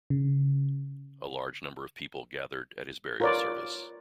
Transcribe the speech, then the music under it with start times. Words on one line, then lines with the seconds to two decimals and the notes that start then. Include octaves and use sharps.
A large number of people gathered at his burial service.
0.10 C#3
3.20 F4 A#4 B4 C#5 D5